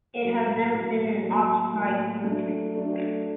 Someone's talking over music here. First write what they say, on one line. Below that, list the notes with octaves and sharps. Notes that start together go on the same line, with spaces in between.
It has never been an occupied country.
A2 F#3 A#3
A2 F#3 A#3
A2 F#3 A#3
A2 F#3 A#3
F#3 A3 D4
F#3 A3 D4